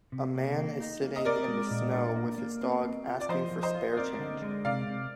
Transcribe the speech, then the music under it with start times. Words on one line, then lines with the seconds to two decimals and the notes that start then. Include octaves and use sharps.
A man is sitting in the snow with his dog asking for spare change.
0.12 C3
0.35 A#3
0.58 A#3
0.80 D#4
1.03 A#3
1.16 D#5
1.25 C4 A#4 D5
1.48 G#3
1.71 A#2
1.94 D4
2.16 A#3
2.38 A#3
2.61 C4
2.83 C4
3.06 F4
3.20 D5
3.29 F3 C5 D#5
3.51 F3
3.63 C5 D#5
3.75 F4
3.97 C4 A#4 D5
4.19 D3
4.42 G#3
4.65 C3 D5 F5
4.87 C3